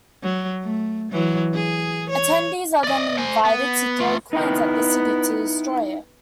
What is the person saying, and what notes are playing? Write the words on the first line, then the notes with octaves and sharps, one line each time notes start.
Attendees are then invited to throw coins at the city to destroy it.
F#3
A3
E3 F#3
G#4
C#5
D5 D#5
C5 G#5
B3
A3 F4
B3 D#4 E4 G5